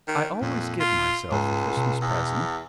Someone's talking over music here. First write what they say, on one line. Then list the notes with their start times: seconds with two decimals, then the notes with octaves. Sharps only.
I always give myself a Christmas present.
0.08 D#3
0.42 F2 A#2
0.80 F4
1.31 C#2 G#2 G#3
1.77 B2
2.02 E2